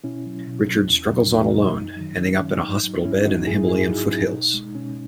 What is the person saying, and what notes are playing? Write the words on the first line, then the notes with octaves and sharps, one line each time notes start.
Richard struggles on alone, ending up in a hospital bed in the Himalayan foothills.
B2 C#4 E4
F#3
B2
F#3
E2
B2 F#3
E2 D#4
B2 F#3
F#2
D#3 F#3
F#2 C#4
D#3 F#3 C#4
G#2 D#4
F#3
G#2 C#4 E4
F#3 D#4 F#4
G#2 E4 G#4
F#3 E4 G#4
G#2 D#4 F#4
C#4 E4
F#3
D#4
B2
G#3
B2 C#4